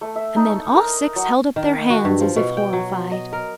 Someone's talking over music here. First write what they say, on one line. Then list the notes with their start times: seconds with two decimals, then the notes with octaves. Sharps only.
And then all six held up their hands as if horrified.
0.01 A3
0.16 E5
0.36 D#4
0.49 C#5
0.75 A#4
1.16 F#3
1.56 D#3
1.90 F#4
2.05 G2
2.21 F3
2.36 B2
2.57 G5
2.73 F#3
3.12 D#5
3.33 A#4